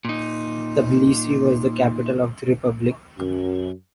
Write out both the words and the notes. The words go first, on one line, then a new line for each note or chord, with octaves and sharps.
Tbilisi was the capital of the republic.
A#2 D#4
F#2